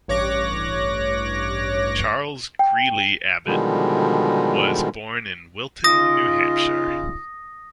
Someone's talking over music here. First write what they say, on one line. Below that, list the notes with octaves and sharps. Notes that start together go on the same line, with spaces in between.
Charles Greeley Abbot was born in Wilton, New Hampshire.
A1 G2 C#5 D6 F#6 A#6
G5
B2 D3 D#3 F3 G3 G#3
C#3 D#4 F4 D#6 A#6